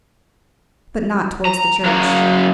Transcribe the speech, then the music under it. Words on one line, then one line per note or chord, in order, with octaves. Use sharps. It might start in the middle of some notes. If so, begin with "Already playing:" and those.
But not towards the church.
A#5
F#2 F#4 F5 A#5